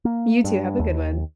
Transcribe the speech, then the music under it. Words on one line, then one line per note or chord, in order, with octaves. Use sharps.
You too, have a good one.
A#3
G2
D#2